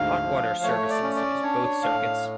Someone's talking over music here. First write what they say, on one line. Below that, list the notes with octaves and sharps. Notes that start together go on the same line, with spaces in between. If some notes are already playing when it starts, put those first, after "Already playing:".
Hot water services use both circuits.
Already playing: D2 G#2 F5
F3
A3 C#5
D5
C#4
D5
D4 C#5
A2 F5